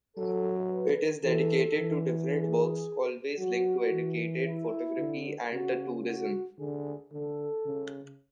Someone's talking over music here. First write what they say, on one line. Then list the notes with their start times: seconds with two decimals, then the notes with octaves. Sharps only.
It is dedicated to different works, always linked to educated, photography and the tourism.
0.17 F#3 A4
0.70 B4
1.24 E3 A4
1.78 E3
2.31 G#4
3.38 F#3 F#4
3.91 E3
4.45 E4
4.98 D3
5.52 C#3 F#4
6.05 F#4
6.59 D3 G#4
7.12 D3 A4
7.66 C#3